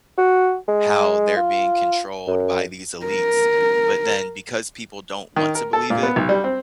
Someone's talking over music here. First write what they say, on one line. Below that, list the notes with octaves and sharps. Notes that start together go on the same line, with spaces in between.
how they're being controlled by these elites, but then because people don't want to believe it,
F#4
G#3
F4
F#2
A#4
D#3
A#4
A4
A#2
B3
B1
G3
C4